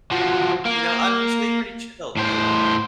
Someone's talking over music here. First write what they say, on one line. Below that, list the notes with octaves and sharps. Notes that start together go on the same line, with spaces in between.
you know, I'm usually pretty chill too.
F3 F#3
A#3
A2 C5